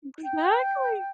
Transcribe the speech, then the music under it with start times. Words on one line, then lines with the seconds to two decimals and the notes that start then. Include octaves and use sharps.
M exactly.
0.24 G5